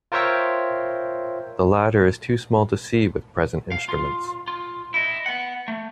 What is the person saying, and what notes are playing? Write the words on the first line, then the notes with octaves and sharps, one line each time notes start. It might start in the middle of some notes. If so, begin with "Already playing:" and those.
The latter is too small to see with present instruments.
F4 A#4 C5 C#5 E5 G5
F5
F4
F4
E4 D#5
B3 F#5
A3